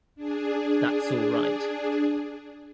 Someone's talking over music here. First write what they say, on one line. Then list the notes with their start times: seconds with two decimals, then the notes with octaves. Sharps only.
That’s all right.
0.16 D4 G#4